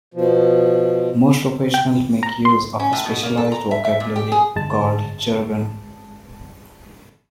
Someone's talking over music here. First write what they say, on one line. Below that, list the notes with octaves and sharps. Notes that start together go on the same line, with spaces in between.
Most professionals make use of a specialised vocabulary called jargon.
B2 F3
G5
A#5
C6
C#4
A2
B2
A#3
A4
A#5
E5
E5
A#2
G4
G#4
G1 G#3 A5